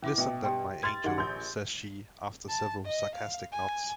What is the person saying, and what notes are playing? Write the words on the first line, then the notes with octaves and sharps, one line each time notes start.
"Listen then, my angel," says she after several sarcastic nods.
E3 C#4 E5 D6
B2 E5 G5
G4 D5 G5
B4 C6 G#6 A6
D#3 G4 G#4 F#5
A#1 C6 G6
A5
D#5
F5
G#5